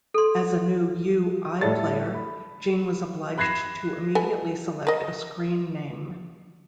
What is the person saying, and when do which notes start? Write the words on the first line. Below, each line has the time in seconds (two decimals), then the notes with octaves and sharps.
As a new U-I player, Gene was obliged to immediately select a screen name.
0.14 A4 C6
1.61 A2 G3 E4 A4 C#5 A6
2.14 B5
3.38 B5 F#6 G#6 A#6 C7 E7
4.15 A4 B4 G#5
4.87 A#4 D#5